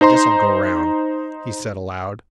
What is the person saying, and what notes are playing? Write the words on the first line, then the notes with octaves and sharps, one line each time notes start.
Guess I'll go round,' he said aloud.
D#4 C5 A#5 C6